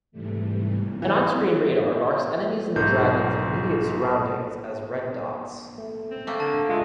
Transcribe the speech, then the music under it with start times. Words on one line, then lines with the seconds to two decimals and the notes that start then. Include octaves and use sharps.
An onscreen radar marks enemies in the dragon's immediate surroundings as red dots.
0.12 G#2 C3 E3 G3 A3
1.02 E3
2.76 B1 G#2 G6
5.78 A3
6.11 C4
6.27 A3 A#3 G5
6.40 D3 A5
6.69 G#3 F4 D#5 E5